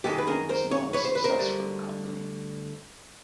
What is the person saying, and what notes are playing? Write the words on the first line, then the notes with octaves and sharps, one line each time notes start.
It was not a success for the company.
F#2 D#3 G#3 G4 A4
B4
G#4 A#4
A#4 C5
C#5
B4 C#5
C5
B4
A#4 C5
D2 D3 G3